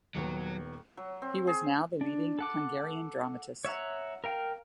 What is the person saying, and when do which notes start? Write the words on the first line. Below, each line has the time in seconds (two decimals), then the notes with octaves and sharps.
He was now the leading Hungarian dramatist.
0.15 D#1 D#2 F#3 B3
0.97 F#3
1.22 C4
1.47 G#4
2.01 D4
2.39 A4 F#5 D6
3.65 C#5 E5 F#5 A#5
4.24 A#4 F5 G5